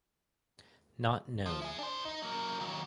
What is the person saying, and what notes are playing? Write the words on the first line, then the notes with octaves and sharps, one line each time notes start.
Not known.
F3
E4 G#4
D4 C5
D#4
F#3 A#3
D#2 F#3